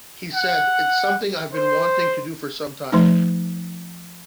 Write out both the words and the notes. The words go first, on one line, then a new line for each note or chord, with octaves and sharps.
He said, It's something I've been wanting to do for sometime...
F#5
C5
F3 A3 D#4